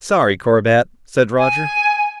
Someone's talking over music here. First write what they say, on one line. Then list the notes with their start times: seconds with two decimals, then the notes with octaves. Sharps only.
"Sorry, Corbett," said Roger.
1.38 G#5